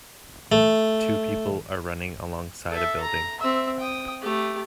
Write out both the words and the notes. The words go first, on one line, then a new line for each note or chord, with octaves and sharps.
Two people are running along side a building.
A3
A4 E5
A#5
C4 E5
G5 D#6
A3 G4